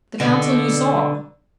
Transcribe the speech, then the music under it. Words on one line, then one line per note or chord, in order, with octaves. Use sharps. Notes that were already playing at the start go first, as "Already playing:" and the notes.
"The Council you saw."
B2 D3